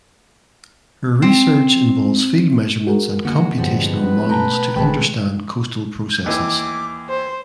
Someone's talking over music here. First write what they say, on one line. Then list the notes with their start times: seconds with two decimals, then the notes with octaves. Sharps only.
Her research involves field measurements and computational models to understand coastal processes.
1.22 C4
2.87 F#4 G#4 A#4
3.25 D3 G#3 A#3 F#4
3.58 G2 D3 F3 G3 G#3 B3 C4 F#4
3.95 B4
4.29 B2 A3 B3 G5 A5 A#5
4.76 G#1 D#3 G#3 A3 G5 B5
6.26 D#2 E3 D6
7.09 C5